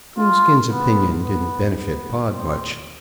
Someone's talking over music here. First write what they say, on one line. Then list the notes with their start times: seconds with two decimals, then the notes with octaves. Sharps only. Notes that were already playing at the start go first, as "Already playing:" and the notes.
Coonskin's opinion didn't benefit Pod much.
0.18 F4
0.71 B3
1.24 B3
1.77 B3
2.31 C4